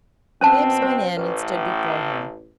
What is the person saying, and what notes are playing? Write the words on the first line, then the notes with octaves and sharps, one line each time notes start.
Bibbs went in and stood before him.
B2 C4 C#4 C5 A5
C5
A1 B4